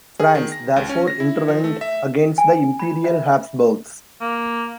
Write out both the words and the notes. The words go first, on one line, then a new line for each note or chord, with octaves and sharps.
France therefore intervened against the Imperial Habsburgs.
G#4
D#3
A#6
C#2
C#4
A#6
E4
F3
A3
E5
G#5
B5
E5
A#3